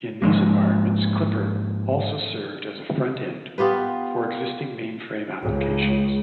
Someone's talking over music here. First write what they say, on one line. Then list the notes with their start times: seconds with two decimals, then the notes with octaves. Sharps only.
In these environments Clipper also served as a front end for existing mainframe applications.
0.22 G#2 F3 G#3 A#3
3.58 B3 F4 G4 B4
5.41 C#2 G#3